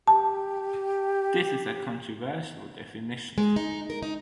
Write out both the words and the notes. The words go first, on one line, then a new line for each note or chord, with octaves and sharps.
This is a controversial definition.
G4 A5
G#3
D#4
A#4
D#4